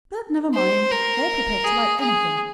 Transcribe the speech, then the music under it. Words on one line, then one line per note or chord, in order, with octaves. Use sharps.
But never mind; they are prepared to like anything.
C5
A#4
G#4
G#4